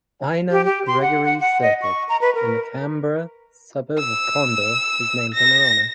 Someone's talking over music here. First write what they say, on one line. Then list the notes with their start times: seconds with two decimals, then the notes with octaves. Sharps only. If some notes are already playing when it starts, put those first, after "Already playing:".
Ina Gregory Circuit in the Canberra suburb of Conder is named in her honour.
0.51 G4
0.65 G4
0.87 C6
1.02 F#5
1.24 F#5
1.40 F#5
1.62 D#5
1.82 C#6
2.09 A#5
2.21 B4
2.35 A#4
3.99 E6
5.35 A#6